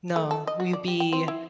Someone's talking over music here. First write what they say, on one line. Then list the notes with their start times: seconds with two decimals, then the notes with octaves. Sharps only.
No. We'd be,
0.16 A3
0.31 A4
0.47 D#5
0.60 F#4
0.73 D5
0.88 G4
1.00 G5
1.13 C4
1.28 E4